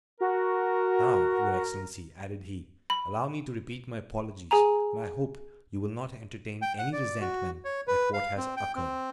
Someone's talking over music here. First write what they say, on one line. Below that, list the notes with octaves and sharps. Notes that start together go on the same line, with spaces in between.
"And now, your excellency," added he, "allow me to repeat my apologies, and I hope you will not entertain any resentment at what has occurred."
F#4 A#4
B5
G#4 G#5 A#5
G5
F#5
D5
F#4
C#5
B4
F5
C4
G5
C4